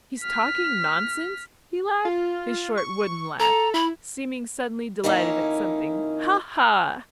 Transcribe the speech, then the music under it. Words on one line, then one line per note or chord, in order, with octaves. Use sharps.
"He's talking nonsense?" he laughed, his short, wooden laugh, seeming suddenly delighted at something--"ha ha!"
F6 B6
F4
C#6
A4 A#5
E4 B5
F2 D#3 A#3 C#4 D#4 E4